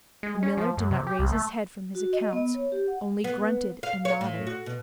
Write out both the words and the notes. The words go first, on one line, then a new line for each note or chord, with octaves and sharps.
The miller did not raise his head from his accounts; only grunted and nodded.
G#3
C#4
F3
F#2
C3
G4
C2
A3
F#4
D#5
B3
C#5
G4
F#5
B3
F5
C#5
A2
F#4
B2